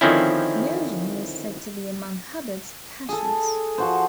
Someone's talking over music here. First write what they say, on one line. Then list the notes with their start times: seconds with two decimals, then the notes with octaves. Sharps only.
Motion was said to be among Hubbard's passions.
0.01 D3 D#3 F3 C4 C#4 E4
3.09 G#4 A4
3.78 F3 F#4 C5